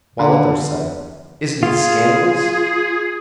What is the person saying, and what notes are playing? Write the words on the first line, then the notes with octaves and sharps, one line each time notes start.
While others said--"Isn't it scandalous!"
D3
F4 G#4